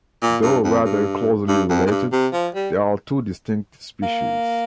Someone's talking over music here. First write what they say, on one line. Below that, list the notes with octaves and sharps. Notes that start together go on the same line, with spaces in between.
Though rather closely related, they are two distinct species.
A#2
G2
F2
G2
G2
F2
G#2
G2
C3
F3
G3
A#3